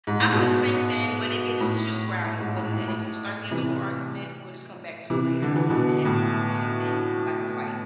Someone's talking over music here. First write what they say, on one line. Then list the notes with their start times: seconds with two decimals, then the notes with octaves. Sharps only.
I felt the same thing when it gets too rowdy, when i if it starts getting to an argument, we'll just come back to it later, I don't want it to escalate to anything like a fight.
0.07 G#2
0.20 A2
0.33 G#2 B2
1.60 A2
2.24 A2
2.40 G#2
2.56 A2
2.72 G#2
2.88 A2
3.51 C3 E3
5.10 C3 E3
5.42 D3
5.56 E3
5.70 B2 D3
6.05 A2